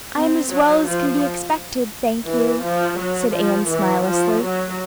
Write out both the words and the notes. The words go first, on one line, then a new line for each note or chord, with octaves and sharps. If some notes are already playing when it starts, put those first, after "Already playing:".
"I'm as well as can be expected, thank you," said Anne smilelessly.
C4
F#3
F3
E3
F3
F#3
F3
E3
F3
F#3